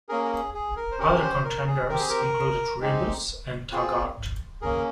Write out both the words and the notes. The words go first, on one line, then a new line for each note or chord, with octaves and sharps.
Other contenders included "Rebus" and "Taggart".
A#3 C#4 G#4 A#4
A#4
G#4
G#4
A#4
C5
C#4 G4 A#4
C5
A#4
G#4
C4 G4 A#4
G#4
A#4
G#3 C4 D#4 G4
C4 F4 G#4
A#3 C#4 G#4 A#4